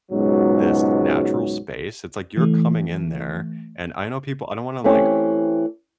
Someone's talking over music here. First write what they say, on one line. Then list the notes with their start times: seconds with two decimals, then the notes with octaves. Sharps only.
this natural space, it's, like, you're coming in there, and I know people I don't wanna, like,
0.11 C#2 G#2 B2 F#3
2.37 E3 A3
4.84 E3 A3 C4 C#4 G4